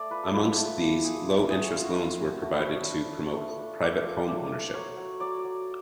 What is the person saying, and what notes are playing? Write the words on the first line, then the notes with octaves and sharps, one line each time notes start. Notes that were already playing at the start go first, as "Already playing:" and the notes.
Amongst these, low interest loans were provided to promote private home ownership.
Already playing: A3 D5
F4 B4
A4
F4 B4
A3 A4
F4
F4 G#4
A3
A3 G#4
F#4
A3 F4
F#4
C#4 F4
C#4 F#4
A3 F#4
B4
F4 C#5
D4
F4
A3
D4
A3 D5
F4
A3 D5
A3
F#3 C#5
F#3
F#3 D5
F#3